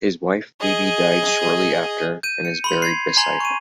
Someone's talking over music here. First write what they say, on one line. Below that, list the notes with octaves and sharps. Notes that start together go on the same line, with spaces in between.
His wife Phoebe died shortly after and is buried beside him.
G#4 D#5
G6 D#7
C#7
B5 C6 F7
G#6 C7
G#5 A#5 C6 G#6 F7
C#6 D#7